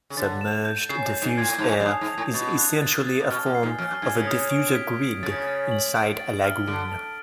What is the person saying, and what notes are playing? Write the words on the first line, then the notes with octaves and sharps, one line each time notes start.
Submerged diffused air is essentially a form of a diffuser grid inside a lagoon.
C#3
D3 A6
E7
G6
C#3 C7
C3
G6
G#2
A#2 G#6
A2
G#2 F7
A2
F#2
G2 D#6
G#2
G#6
A2
B2 A6
F#6
A6
A6
C3
B2 F6
A#2
C7
G#2
F2 F6
F#2
G2 G#6
C#3
D#6
D7
B6
D7
C#3 A6
A6
F#7
D7
A6
F6
D3 D7
D7